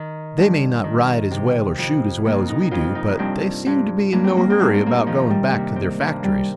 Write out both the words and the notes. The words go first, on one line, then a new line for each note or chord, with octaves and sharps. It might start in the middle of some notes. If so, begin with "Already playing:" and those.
"They may not ride as well or shoot as well as we do, but they seem to be in no hurry about going back to their factories."
Already playing: D#3
G2
D#3
C3
F2
F2 A#3
D#4
F2 F4
D#4
G2 C4
G2
G2 A#3
C4
A#3
C4
G2 A#3
C4
A#3
D#3 F3
G3
C3 A#3
C4
G2 A#3
G3